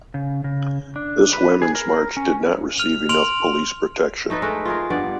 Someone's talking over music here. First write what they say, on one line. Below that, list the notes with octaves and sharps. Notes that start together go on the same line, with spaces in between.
This Women’s March did not receive enough police protection.
C#3
C#3
D4
B4
G#4
A#4
C#4
F6 F7
C6 F6 D7 F7 F#7
A3 D#4 A4 B4
G#3 A3 A#4 B4
F4 G#4 A#4
G2 B3 D5